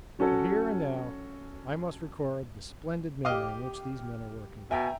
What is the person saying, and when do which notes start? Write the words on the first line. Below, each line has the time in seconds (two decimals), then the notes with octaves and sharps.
For here and now I must record the splendid manner in which these men are working.
0.19 F#3 C#4 F#4 A4 C#5
3.25 G4 D#5 F5 D6
4.71 B2 E5 G5 G#5 A#5